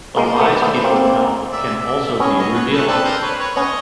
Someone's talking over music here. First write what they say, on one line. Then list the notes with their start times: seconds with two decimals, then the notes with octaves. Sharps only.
The lies people tell can also be revealing.
0.16 G#3 A#3 C5 D5
0.39 A3 B3
0.62 A3 B3
0.84 A#3 C4
1.52 D5 E5
1.86 D5 E5
2.20 B3 C#4 C#5 D#5
2.37 C#5 D#5
2.54 B4 C#5
2.71 A4 B4
2.88 C4 D4 A4 B4
3.05 A#4 C5
3.22 B4 C#5
3.39 B4 C#5
3.56 B3 C#4 C#5 D#5